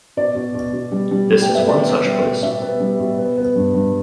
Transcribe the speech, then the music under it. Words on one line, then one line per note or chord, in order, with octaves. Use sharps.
This is one such place.
B2 D5
B2
B2
B2
G3
G3
G3
G5
B3
E5
B2 D5
B3
G3
B2
B2 E5
B3
G3
B2
B3
B3
G2
G2